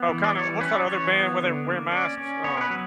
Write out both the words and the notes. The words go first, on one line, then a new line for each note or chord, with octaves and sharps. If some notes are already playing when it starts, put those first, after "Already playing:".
Oh, kinda what's that other band where they wear masks, um,
Already playing: B3
E3
D5
G3 C#5
C#4 B4
D5
E3 C#5
B3
D3
A#3
C#4 D5
C#4
B3 C#5
A#4
B4
F#3